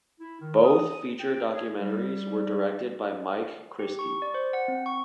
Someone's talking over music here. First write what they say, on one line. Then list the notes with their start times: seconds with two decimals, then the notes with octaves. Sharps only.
Both feature documentaries were directed by Mike Christie.
0.20 E4
0.41 D#3
0.64 D#6
1.20 G5
1.53 G#4
1.81 G3
3.79 G4
3.99 C#6
4.22 D5
4.34 C5
4.53 F#5
4.68 C4
4.86 C#6